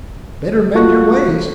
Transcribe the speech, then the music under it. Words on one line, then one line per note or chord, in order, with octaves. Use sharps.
Better mend your ways.
F4 F#4 A4 C#6 F#6